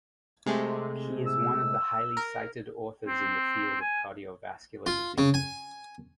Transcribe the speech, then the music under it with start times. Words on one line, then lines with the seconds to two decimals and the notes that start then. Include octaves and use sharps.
He is one of the highly cited authors in the field of cardiovascular diseases.
0.46 C3 G#3 A3
1.26 E6
2.17 A#4
3.07 C4
3.81 G#5
4.86 F4
5.18 C#3
5.34 G#5